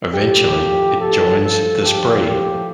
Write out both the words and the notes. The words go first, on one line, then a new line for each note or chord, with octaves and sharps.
Eventually, it joins the Spree.
A2 F3 G4
A4
A4
G4
G4